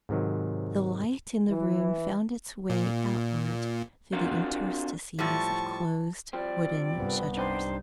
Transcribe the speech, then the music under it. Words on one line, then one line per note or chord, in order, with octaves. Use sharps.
The light in the room found its way outward through the interstices of closed wooden shutters.
G#2 C3 D#3 F#3
E3
A#2
C4 D4 F4 F#4 A#4
A2 F3 G3 A5 C#6
F3 G3 C4 D5
C2 G2 B3
D4 D#4 G4 C5